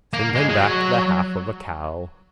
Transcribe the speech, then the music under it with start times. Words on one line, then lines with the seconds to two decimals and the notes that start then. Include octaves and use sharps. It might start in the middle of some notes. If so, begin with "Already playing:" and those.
Send him back the half of a cow.
0.13 A#3
0.35 G#3
0.49 G#3
0.57 F#3